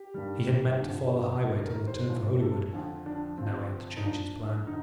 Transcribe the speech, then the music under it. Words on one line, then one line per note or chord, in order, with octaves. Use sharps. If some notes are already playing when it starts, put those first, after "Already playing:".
He had meant to follow the highway till the turn for Holywood, and now he had to change his plan.
Already playing: G4
G2 D#3 G3
G2 D3 F3
G2 D#3 G3 A4
A#4
C5
A2 F3
A4
F2 D3 F3
D4
G2 D3 F3 C4
D#4
A#2 F3 D4
D3 D#4